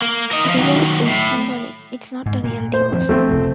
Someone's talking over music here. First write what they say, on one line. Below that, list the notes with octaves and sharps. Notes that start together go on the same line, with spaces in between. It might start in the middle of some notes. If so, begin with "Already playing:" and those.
The divorce is symbolic, it's not a real divorce.
A#3
A#4 D#5
E3 F3
D#3 F#3
A2
G#2
A#2
C5
F3 C4
D2 F3 A3 C4
F1